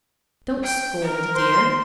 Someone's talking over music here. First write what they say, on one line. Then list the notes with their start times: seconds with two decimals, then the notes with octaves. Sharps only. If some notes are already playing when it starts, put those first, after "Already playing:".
'Don't scold, dear.
0.63 G5
1.02 A#4
1.34 C5 C6